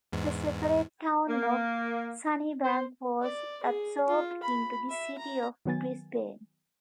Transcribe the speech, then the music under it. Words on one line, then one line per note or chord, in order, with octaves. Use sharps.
The separate Town of Sunnybank was absorbed into the City of Brisbane.
E2 G#2
A#3
C5
D5
G#4
F4
B5
E5
A#5
D#3 F#3 B3 G#5 A6